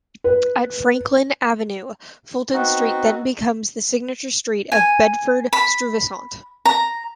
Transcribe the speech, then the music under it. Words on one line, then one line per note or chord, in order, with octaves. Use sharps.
At Franklin Avenue, Fulton Street then becomes the signature street of Bedford-Stuyvesant.
B4
B3 C4 D#4 F#4
G#5
B5
A#5